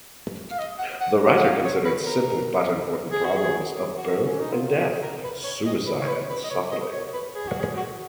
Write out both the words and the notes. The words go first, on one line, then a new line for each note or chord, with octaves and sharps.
The writer considered simple but important problems of birth and death, suicide and suffering.
F5
D#5
F#5
F#5
F#5
F5
C#5
B4
A#4
G#4
F#4
G#4
F#4
C#4
D#4
F4
F#4
G#4
A#4
B4
C#5
D#5
B4
C#5
B4
B4
D#5
C#5
D#5
C#5
B4
G#4
F#4
G#4
F#4